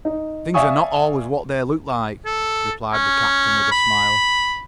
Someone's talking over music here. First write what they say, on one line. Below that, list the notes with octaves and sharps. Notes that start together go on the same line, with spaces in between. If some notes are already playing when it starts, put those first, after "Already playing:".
"Things are not always what they look like," replied the captain with a smile.
D#4
D5 E5 F5 G#5 C#6 D#6
A4
C#4
B5